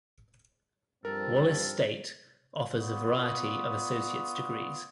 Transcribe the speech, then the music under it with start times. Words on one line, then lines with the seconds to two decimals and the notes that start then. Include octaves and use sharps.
Wallace State offers a variety of associate's degrees.
1.05 G2 F3 C4 A4 A#4
2.78 B3 F4 D5 C#6 D#6